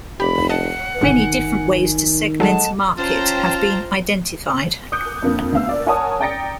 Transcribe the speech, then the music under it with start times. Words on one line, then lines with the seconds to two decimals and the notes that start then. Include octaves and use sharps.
Many different ways to segment a market have been identified.
0.20 F1 G4 B5
0.50 D#5 F#5 A5
1.01 G1 G#2 B2 D3 D#3 G#5
2.40 F#3 G#3 G#4 A4 D#5 F#5 A5
2.98 C#4 F4 C5 G5 A5 A#5
4.92 D6 D#6 F#6 G6 C#7
5.23 F2 D3 A#3
5.52 D2 B3 F5 E6
5.69 D5
5.86 A#4 C#5 F#5 G#5 A5 D#6
6.20 D5 G5 A#5 A6 A#6 C#7